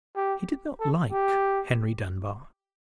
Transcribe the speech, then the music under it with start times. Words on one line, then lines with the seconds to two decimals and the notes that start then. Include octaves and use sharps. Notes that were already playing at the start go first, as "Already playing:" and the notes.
He did not like Henry Dunbar.
0.16 G4
0.80 A4
1.12 G4